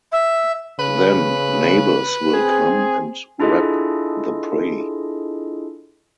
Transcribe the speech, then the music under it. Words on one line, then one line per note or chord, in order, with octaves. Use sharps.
Then neighbors will come and wrap the prey.
E5
C#3 B4
C4 G#4
D4 E4 F4 G#4 A4 D#5